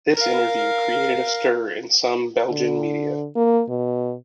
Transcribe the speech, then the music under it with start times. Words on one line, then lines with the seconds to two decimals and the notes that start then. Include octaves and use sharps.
This interview created a stir in some Belgian media.
0.15 A#4 F5
2.51 D3
3.36 A#3
3.69 B2